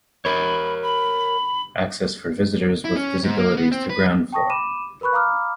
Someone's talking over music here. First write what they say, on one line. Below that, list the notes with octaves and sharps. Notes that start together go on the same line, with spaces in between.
Access for visitors with disabilities to ground floor.
A#4 C#5 B5
B5
E4
C#4
G#2
A#3
B3
C4
B4
G5 A5 C#6 D#6 A#6
B5 D6 D#7 E7
A#4 B4 B5 C#6 F#6
F5 A#5 B5 D6 D#6 F6